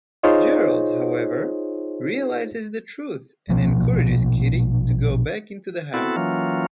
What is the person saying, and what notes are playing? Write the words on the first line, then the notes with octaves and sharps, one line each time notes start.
Gerald, however, realises the truth and encourages Kitty to go back into the house.
D#4 F4 G#4 C5 C#5 D#5
A#1 B2 F3 A#3
B3 C4 E4 F#4 A4
E3 F#3 A#3 C#4 F4